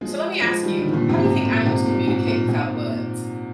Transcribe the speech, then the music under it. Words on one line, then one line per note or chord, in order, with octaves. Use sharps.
So, let me ask you, how do you think animals communicate without words?
F3 G#3
F3 G#3
D#3 G3
D3 F3
D#3
A#2 D3
G#2 C3
G#2 C3
A#2
G#2 C3
A#2
G#2
A#2
G#2 C3
A#2
A#2